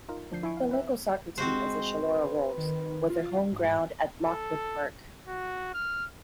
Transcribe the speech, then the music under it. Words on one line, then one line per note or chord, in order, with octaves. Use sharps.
The local soccer team is the Chullora Wolves, with their homeground at Lockwood Park.
D#4 F4 A#4
D2 F3 D4 G6 C7
F3 E4 E5 G#5 C#6 D7
F5
C4 B4 E5
G#3 C4 F#4 C5
B4
D#3
F4
G#2
A4
F#4
F6